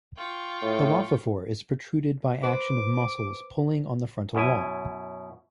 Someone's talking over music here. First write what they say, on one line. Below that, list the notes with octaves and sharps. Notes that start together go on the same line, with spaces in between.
The lophophore is protruded by action of muscles pulling on the frontal wall.
F4 G5 C#6
A2
B4 C5 D6
F#2 B2 E4 G#5